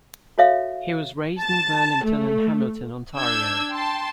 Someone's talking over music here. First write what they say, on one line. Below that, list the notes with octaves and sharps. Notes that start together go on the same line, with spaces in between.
He was raised in Burlington and Hamilton, Ontario.
F#4 A4 C#5 E5 F5
A5
A3
D4 E6 G6 G#6
G5 A5 C6